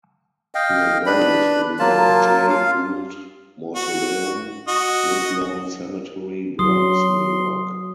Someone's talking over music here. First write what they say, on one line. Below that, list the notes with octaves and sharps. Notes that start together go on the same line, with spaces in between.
He was buried in the Jay Gould Mausoleum, Woodlawn Cemetery, Bronx, New York.
D#5 F5 G5
D4 B4 B5
F#3 A#3 F4 A5
F4 F5
F#4
F#4 D#5
F#3 C6 D#6